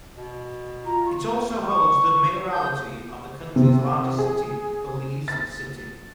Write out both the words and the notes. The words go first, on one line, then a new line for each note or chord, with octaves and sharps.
It also holds the mayoralty of the country's largest city, Belize City.
B2
F4 A#5
C#6
C#6
G6
C3
G#4
A6